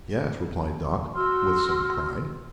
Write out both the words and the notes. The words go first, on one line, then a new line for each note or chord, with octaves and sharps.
"Yes," replied Dot, with some pride.
F#4 C6 E6 F6